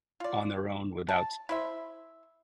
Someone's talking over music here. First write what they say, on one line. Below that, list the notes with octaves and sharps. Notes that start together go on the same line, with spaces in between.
on their own without,
F4 D5
A5
E4 C5 E5